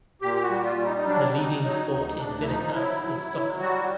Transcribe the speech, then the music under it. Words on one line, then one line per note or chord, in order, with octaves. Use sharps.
The leading sport in Vinica is soccer.
A#2 G4
G4
F#4
G3
F4
G3
D#4
D#4
F#3 D4
F#3 D#4
F#3 D#4
D2 D#4
D2 D4
E4
F3 D#4
F#3 E4
F#3
F#3
G3 F#4